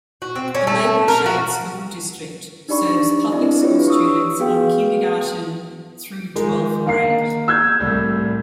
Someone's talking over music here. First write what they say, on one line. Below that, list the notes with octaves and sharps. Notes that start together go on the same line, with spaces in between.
The Maple Shade School District serves public school students in kindergarten through twelfth grade.
F#4
C4
C#4
A3
A#4
F#4
D4 D#4 G4 D5 B5 C#6
C4 D4 E4 D5 D#5
D4 E4 F4 G4 B4 C#5
C#6 D#6 E6
B3 F#4 G#4 B4 F5 G5
D#3 F3 G#3
D#3 A#3 A#4 F5 C7
E6 G6 G#6
C2 A2 G3